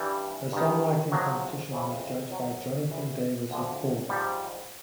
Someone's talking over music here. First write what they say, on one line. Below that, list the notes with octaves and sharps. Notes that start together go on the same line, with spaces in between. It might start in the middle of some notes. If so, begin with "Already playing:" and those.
A songwriting competition was judged by Jonathan Davis of Korn.
Already playing: G2 E3 G3
G2 D#3
G#2 F3 F#3 G#3
F2 C#3 E3
G#2 F3 F#3
D2 C3 E3
D2 D3 F3
G#2 F3 G3